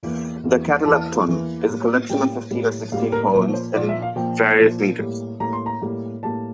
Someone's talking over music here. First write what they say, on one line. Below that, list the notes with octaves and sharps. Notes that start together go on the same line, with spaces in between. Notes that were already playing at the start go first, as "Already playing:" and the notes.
The "Catalepton" is a collection of fifteen or sixteen poems in various meters.
E2 E3 A#3
E2 E3 A#3
E2 E3 A#3 A5
E2 E3 A#3
A2 G3 A#3
A2 G3 A#3 G5
A2 G3 A#3
A2 G3 A#3 F5
A#4
A#2 F3 A#3
C5
A#2 F3 A#3 D5
E5
F5
A#2 F3 A#3 G5
A#2 F3 A#3
A2 G3 A#3
A2 G3 A#3 A#5
C6
A#5
A2 G3 A#3
A2 G3 A#3 A5